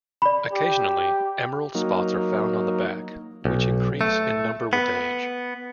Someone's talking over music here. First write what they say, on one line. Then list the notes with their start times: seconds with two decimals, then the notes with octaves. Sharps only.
Occasionally, emerald spots are found on the back, which increase in number with age.
0.22 D5 B5
0.53 G4
1.75 F#3 A#3 D#4
3.45 B1
4.01 A3
4.73 B3